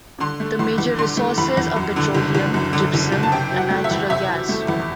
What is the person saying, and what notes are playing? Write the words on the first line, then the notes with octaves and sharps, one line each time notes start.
The major resources are petroleum, gypsum and natural gas.
D3 C6
A3
E2 C6
E2
D3 C6
A3
E2 B5
E2
F#2
D3
F#1
F#1
F#2
D3
F#1
F#1
A5
C3 G5
F#3
F#5
A3
E5
E2
C3 E5
F#3
A3
E2